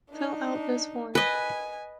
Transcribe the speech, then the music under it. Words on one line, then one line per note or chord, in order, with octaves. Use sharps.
Fill out this form.
D4 D#4
B4 D#5 G#5